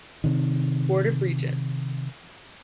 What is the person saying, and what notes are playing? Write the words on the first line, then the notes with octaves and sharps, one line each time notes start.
Board of Regents.
C3 D#3